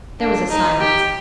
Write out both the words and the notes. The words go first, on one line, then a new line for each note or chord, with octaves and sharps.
There was a silence.
D4
D#4
G4